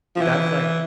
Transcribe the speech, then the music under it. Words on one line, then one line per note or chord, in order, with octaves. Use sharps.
That's, like
F3
E3